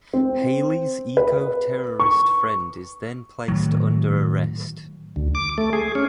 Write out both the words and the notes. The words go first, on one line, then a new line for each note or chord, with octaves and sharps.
Hayley's eco-terrorist friend is then placed under arrest.
C4
B4
C#6
A2 D#3 F#3
D2
D6
A3
G#4
C#4